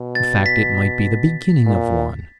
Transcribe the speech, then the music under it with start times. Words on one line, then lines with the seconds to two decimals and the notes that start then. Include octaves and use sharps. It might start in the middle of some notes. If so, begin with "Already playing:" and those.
In fact, it might be the beginning of one.
Already playing: B2
0.15 A6
0.46 B6
1.66 A#2